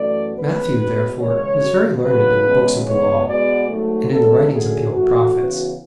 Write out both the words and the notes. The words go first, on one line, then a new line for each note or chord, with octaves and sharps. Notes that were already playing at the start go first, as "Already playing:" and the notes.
Matthew, therefore, was very learned in the books of the Law, and in the writings of the old prophets.
Already playing: F#2 E3 A3 D5
C#3 G#3 B3 B4
B2 G#3 B3
E2 C#3 G#3 C#5
F#2 C#3 F#3
E2 C#3 F#3 B4
E2 C#3 G#3 B3
E2 C#3 G#3 B3 C#5
B2 G#3 B3 D5
G#2 F#3 A3
E2 C#3 G#3 B3 A4
F#2 D3 A3 G#4
A2 E3 A3 F#4
C#3 E3 B3